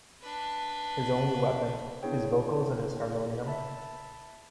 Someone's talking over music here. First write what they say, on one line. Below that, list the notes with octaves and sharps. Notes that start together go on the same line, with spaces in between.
His only weapon: his vocals and his harmonium.
D4 B4
B3 D4 E4 G#4 C#5 G5
E5 A5 B5